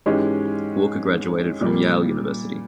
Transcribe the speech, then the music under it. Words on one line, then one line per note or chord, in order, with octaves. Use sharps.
Walker graduated from Yale University.
G#2 E3 G#3 C#4 G4
A#2 G3 A#3